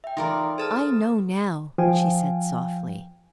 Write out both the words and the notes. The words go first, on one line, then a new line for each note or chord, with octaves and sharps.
"I know now," she said, softly.
E5 G5
E3 D#4 F4 A#4 D5
G#4 A4 C5 A5 D#6 F6
F3 F5 G5 G#5